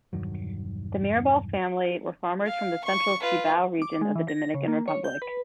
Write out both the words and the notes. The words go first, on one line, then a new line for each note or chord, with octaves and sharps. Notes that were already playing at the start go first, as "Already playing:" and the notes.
The Mirabal family were farmers from the central Cibao region of the Dominican Republic.
E1 G2 D#3 F#3
F5
C#6
F4 B4
D6
G#3
E3
A#6
C#3
A#3
C#5
G6
B4